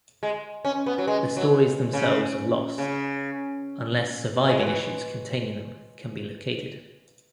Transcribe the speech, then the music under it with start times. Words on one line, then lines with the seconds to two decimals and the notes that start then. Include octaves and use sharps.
The stories themselves are lost, unless surviving issues containing them can be located.
0.23 G#3
0.65 C#4
0.86 B3
0.98 F#3
1.08 G#3
1.37 F#3
1.93 C#3
2.78 C#3
4.49 G#3
4.58 F#3
4.67 E3